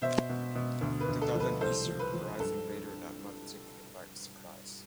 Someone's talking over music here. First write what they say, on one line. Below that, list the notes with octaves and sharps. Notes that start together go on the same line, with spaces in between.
The Dublin Easter Rising later that month took him by surprise.
B2 C5 E5
B2
B2
D2
B4
D2
A4
F3
B4
C2 A4 C5
F3
B4
F3
G2 A4